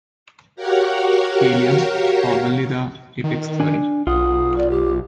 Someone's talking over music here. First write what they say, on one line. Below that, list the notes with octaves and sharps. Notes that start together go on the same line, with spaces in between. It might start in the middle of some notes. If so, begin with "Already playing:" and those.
Helium, formerly The Apex Theory.
F#4 G4 A#4 C#5 F5 F#5
D#3
D4 G#5
B1 F4 F#5 D#6
D5
G4